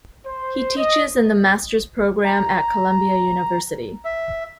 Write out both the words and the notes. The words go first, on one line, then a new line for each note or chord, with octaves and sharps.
He teaches in the masters program at Columbia University.
C5
D#5
A#5
E5